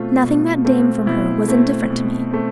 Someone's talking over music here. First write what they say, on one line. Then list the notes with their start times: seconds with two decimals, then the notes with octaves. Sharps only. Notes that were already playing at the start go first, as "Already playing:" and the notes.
Nothing that dame from her was indifferent to me.
Already playing: B2 A3 C4 F4
0.23 B2
0.65 A3 C4
1.06 B2 E4
1.48 A3 C4
1.90 B2
2.31 A3 C4